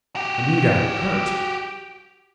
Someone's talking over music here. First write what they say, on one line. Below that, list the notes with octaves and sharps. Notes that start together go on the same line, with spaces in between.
Anita hurt!
F#4 G4